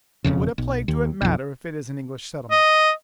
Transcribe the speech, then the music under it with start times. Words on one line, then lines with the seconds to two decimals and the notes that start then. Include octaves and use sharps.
What a plague do it matter if it is an English settlement?
0.24 E1 A#1 F2 C#3
0.58 B1
0.88 D#2
1.21 B1 F2
2.51 D#5